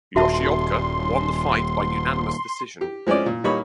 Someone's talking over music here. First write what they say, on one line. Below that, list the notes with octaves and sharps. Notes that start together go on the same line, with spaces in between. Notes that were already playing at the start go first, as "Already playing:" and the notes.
Yoshioka won the fight by unanimous decision.
D#1 F#4 E5 A5 C6
G4
F3 G#3 C4 C#4 D5
A#2
A#2 G3 A#3 D#4 C#5 B5